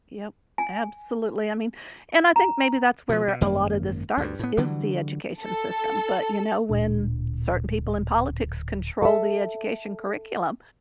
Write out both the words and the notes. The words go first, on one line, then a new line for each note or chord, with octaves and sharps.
Yup, absolutely, I mean and I think maybe that's where where a lotta this starts, is the education system, but, you know, when certain people in politics control the education curriculum,
G#5
A#5
B2 F3
B2
G#1 F#2 A#3
D2 G2
A2 B3
D3 E3 F#3 G3
A4
D1 A#2 D4
A4 E5